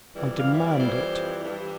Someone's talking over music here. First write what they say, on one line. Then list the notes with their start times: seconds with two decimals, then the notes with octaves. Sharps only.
"I demand it."
0.15 F2 E3 G3
0.40 F5
0.53 E5
0.66 D5
0.79 F2 E3 G3 C5
1.43 G2 E3 G3